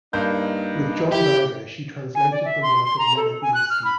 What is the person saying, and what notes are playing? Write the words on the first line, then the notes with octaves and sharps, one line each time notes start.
With John Berger, she translated the work of Nella Bielski.
G2 A#3 D#4 G6
E4 G4
G#5
D5
E5
C6
C6
A#5
A4
G#5
F#6
F6
B5